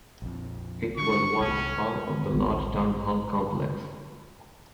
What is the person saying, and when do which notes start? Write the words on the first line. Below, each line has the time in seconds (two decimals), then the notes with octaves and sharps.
It was once part of the large Town Hall Complex.
0.22 A#1 F2
0.97 D3 G3 C#6
1.40 C2 C#4
2.33 A1 D2 G3 B3